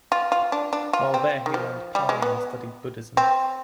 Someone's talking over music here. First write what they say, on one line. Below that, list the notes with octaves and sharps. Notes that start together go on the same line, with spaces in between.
While there, he learned Pali and studied Buddhism.
F4
F4
D4
D4
F4
C4
D#3
F3
G3
G#3
B3
C4